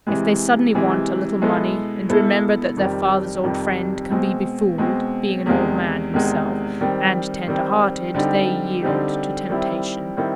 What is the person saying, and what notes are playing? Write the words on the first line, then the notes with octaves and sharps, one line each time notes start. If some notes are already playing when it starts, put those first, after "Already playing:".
If they suddenly want a little money and remember that their father's old friend can be befooled, being an old man himself, and tender-hearted, they yielded to temptation.
C3 E3 G#3
C3 E3 G#3
B2 G#3 B3 E4 A4
B2 G#3 B3 E4 A4
F2 C3 D#3 G3
F2 C3 D#3 G3
B2 G#3 C4
B2 G#3 C4
E2 C3 D#3 G#3
E2 C3 D#3 G#3
D#3 G3 C4
D#3 G3 C4
D3 G3 C4 D#4 G4
D3 G3 C4 D#4 G4
D#3 G3 C4 E4
D#3 G3 C4 E4